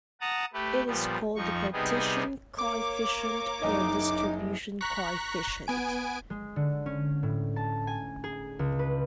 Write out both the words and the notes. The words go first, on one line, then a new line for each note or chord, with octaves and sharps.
It is called the partition coefficient or distribution coefficient.
F#5 A5 A#5 D#6
A3 G4 B4
A#2 F3 G3 B3
F2 F3 D#4 C#6
C3 G3 B3 D#4 G#4
A#3 C#5 D6
F#1 D#4 D#5
A#5 C#6 F#6 B6
B3 G#5 D7
G#3
D3
C#4
A2
A5
G#5
G#4
C#2
B4